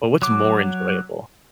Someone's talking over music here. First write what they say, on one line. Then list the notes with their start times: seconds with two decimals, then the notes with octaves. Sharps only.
but what's more enjoyable?
0.22 F#3 D6